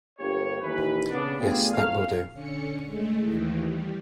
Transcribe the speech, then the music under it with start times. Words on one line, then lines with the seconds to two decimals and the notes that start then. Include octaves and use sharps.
Yes, that will do.
0.19 G1 A#3 G4 C#5
0.62 D#2 E3 B4
1.10 C#3 B3 D4
1.40 A3 B3 D4 F4 G4 G#4
1.72 F#1 F2 F#3 A3 C#4 F5
2.33 D3 C#4 C#7
2.85 G#3 A3
3.17 D#2 D#3 E3
3.63 G3